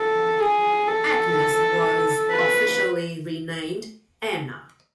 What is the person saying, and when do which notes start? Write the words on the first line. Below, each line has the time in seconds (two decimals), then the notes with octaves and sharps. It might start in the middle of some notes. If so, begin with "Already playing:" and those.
Agnes was officially renamed Anna.
Already playing: A4
0.40 G#4
0.88 A4
2.31 B4